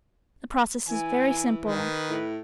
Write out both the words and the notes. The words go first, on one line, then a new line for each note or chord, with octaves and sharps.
The process is very simple.
E3 G#5
D#3 B4
A2